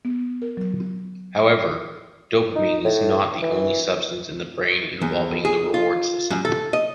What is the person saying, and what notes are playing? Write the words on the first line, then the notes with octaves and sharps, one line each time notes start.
However, dopamine is not the only substance in the brain involving the reward system.
B3
A#4
F#3
D#4
A2
E3
E2
G#4
F4
F#2
A4
D#5